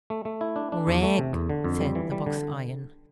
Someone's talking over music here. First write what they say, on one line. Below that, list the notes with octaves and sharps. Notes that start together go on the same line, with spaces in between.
"Rag!" said the box-iron.
A3
A3
E4
D4
D4
E2
A3
C3
E2
D3
F2
G3
E3
G3
D3